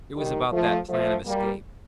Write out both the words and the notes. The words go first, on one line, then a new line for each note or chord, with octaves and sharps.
It was about that plan of escape.
D#3 G3
F3 A3
F3 A3
G3 A#3